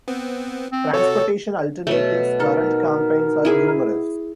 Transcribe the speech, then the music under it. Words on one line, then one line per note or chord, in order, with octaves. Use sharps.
Transportation Alternatives' current campaigns are numerous.
B3 C4
C4
C3 F#4 A4 C#5
B2 F#3 A3
D#4 A4 A#4
E4 G#4